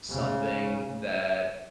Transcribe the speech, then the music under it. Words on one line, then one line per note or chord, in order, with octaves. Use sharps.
something that
C#3